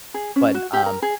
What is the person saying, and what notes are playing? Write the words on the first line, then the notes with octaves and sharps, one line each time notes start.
but, um.
G#4
C#4
F#4
G4
A#4
G#4